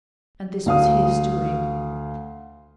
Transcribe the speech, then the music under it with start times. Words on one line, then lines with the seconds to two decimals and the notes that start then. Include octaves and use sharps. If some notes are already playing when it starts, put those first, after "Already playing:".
And this was his doing.
0.66 D2 F5 D#6